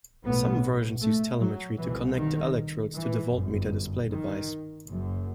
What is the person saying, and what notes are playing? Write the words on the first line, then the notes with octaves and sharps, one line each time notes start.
Some versions use telemetry to connect the electrodes to the voltmeter display device.
B1 A2 B3
A3
F#3
C2 B2 E3
D#3
E3
G1 F#2
D#3
F#1 F#2